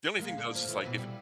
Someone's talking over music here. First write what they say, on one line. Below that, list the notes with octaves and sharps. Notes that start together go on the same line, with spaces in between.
The only thing though, is just like if
G#3 A#3
D3 D4
F3
E3
B2 E3 F#3
G3